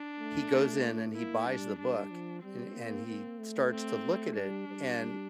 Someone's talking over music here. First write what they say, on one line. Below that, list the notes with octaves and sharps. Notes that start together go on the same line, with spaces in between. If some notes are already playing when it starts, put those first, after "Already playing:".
he goes in, and he buys the book, a and he starts to look at it, and
Already playing: D4
A3
A3
A#3 E4
G3 D4
G3 D4
F3
G3 C4
A#3
A#3
A3
C4
G3 D4
G3
G3